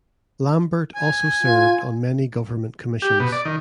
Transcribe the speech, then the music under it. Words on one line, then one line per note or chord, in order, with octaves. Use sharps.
Lambert also served on many government commissions.
G#5
F4
G4
B2
D5
D#3